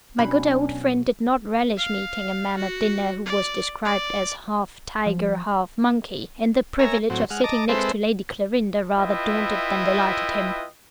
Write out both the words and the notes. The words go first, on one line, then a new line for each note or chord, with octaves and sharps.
My good old friend did not relish meeting a man at dinner who was described as "half tiger, half monkey;" and the privilege of sitting next to Lady Clarinda rather daunted than delighted him.
B2 F#3 C#4 D4 B5
F5
F#4
D5
D5
F3
A#4 C#5 E5 G#5 A#5
A2 F#3 C4
G#3 F#5 F6
D#5 A5 A#5 D6
G#3 C4 A4 B4 C5 E5
E4 F4 B4 D#5 E5 G5